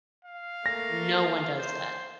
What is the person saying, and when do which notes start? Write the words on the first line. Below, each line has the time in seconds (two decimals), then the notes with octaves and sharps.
No one does that.
0.25 F5
0.66 A3 A#3 A#6
1.58 C5